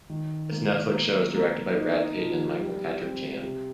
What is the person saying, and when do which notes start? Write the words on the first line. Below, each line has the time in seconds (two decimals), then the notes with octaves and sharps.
This Netflix show was directed by Brad Peyton and Michael Patrick Jann.
0.10 D#3
0.52 A#3
0.93 A#3
1.35 A#3
1.76 D#4
2.18 F3
2.59 G3
3.01 C4
3.42 C3